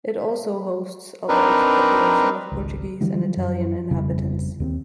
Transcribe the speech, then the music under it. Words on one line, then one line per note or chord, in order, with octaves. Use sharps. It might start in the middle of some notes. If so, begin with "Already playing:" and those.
It also hosts a large population of Portuguese and Italian inhabitants.
C4 D4 D#4 A#4 B4
G#1 C#2
D3 E3 F#3 G3
F#2
G1 F2 C#3 G3
D#2 B3 C4